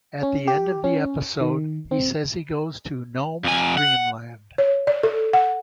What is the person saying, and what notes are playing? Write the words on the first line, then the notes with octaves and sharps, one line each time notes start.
At the end of the episode he says he goes to "Gnome dream land".
C#4
G4
C#4
D#3
C4
F2 G#5
F#5
C#5
D5
A4
F#5